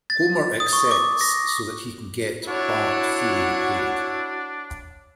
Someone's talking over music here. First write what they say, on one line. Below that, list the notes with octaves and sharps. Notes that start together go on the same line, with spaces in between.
Homer accepts so that he can get Bart fully repaid.
A6
D#6
C#6
D6
A#6
D4 E4 F#4 C#5